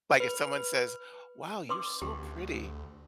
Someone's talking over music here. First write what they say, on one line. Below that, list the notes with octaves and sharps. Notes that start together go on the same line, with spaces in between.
Like, if someone says, "Wow, you're so pretty."
B4
B4 C6 D6
D2 G4